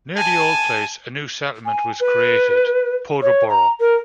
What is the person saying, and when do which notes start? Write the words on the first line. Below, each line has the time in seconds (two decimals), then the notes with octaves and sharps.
Near the old place a new settlement was created, "Podobora".
0.17 G#5 A5
1.66 G#5
2.00 B4
3.22 C#5
3.49 A#5
3.80 A#4